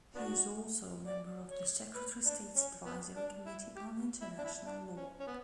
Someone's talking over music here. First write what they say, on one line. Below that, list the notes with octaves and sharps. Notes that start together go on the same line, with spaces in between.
He is also member of the Secretary State's Advisory Committee on International Law.
B3 D4 F#4
D5
C#5
B4
D4
C#4
B3
D4
E4
G4
E4
D4
E4
D4
C#4
C#4
B3